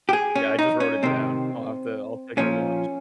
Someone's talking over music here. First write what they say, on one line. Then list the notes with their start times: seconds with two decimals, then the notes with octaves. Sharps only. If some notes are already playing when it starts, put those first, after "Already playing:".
Yeah, I just wrote it down. I'll have to I'll take a watch.
0.09 G4
0.13 G#4
0.35 C#4
0.59 D#4
0.80 C#4
1.03 C3 D#3 C4
2.37 A#2 F3 C#4